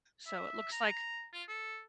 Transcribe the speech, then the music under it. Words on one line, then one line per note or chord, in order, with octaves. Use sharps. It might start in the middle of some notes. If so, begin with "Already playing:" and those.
so, it looks like
E5
A#5
F4
A4